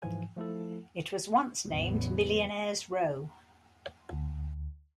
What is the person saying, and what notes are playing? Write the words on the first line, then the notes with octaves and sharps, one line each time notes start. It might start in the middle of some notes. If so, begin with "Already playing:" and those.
It was once named "Millionaire's Row".
G#2 E3 F3 G#5
F3 A3 E4 A4
A1 E2 C#3 F#3 B3
D2